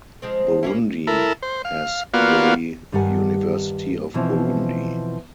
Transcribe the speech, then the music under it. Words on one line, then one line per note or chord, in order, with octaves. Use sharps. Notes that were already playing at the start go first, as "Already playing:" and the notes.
Burundi has the University of Burundi.
F3 G#3 C4
A#3 C#4 E4
E4 A4 A#4
C5
F5
A#3 B3 F4 F#4 D5 F5
G2 D#3 G3 D5 F#5 G#5
B2 E3 F3 C4